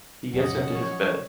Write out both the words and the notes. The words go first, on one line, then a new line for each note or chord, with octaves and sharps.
He gets into his bed.
F2 A#2 F#3 C#4 D#5 F#5
F3 C#5